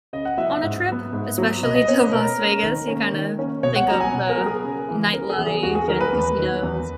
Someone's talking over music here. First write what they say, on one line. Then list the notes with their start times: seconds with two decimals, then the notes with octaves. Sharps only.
on a trip, especially to Las Vegas. You, kind of, think of the nightlife and casinos.
0.13 C#3 D#5
0.25 F#5
0.37 F#3 B3 E4 E5
0.50 E5
0.63 G#2
0.88 F#3 B3
1.13 G#2
1.38 F#3 B3
1.63 B2 D#5
1.75 D#5
1.88 A#3 C#4 C#5
2.01 B4
2.12 B2 A#4
2.38 A#3 C#4
2.63 D#3
2.88 A#3 C#4
3.13 D#3
3.38 A#3 C#4
3.63 B2 C#5
3.76 F#5
3.88 F#3 B3 A#5
4.01 G#5
4.13 B2
4.29 A#4
4.38 F#3 B3
4.46 G#4
4.63 C#3
4.88 E3 B3 E4
5.13 C#3 A#4
5.30 G#4
5.38 E3 B3 E4
5.46 G#4
5.63 E2 F#4
5.75 G#4
5.88 D#3 F#3 A#4
6.01 B4
6.12 E2
6.38 D#3 F#3
6.63 E2